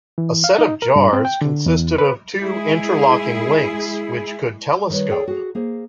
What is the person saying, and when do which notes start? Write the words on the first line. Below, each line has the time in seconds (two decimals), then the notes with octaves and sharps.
A set of jars consisted of two interlocking links which could telescope.
0.18 E3
0.44 F5
0.58 D#4
0.82 A#4
0.96 G2
1.13 C4
1.25 G5
1.41 D3
1.66 E2
1.98 B4
2.40 G#3 E4 G#4
4.89 D#3 G3 B4 C#5
5.10 G#4 A4 C#5 D5 G5
5.27 F#4 G#4
5.55 A#3 G#4 C5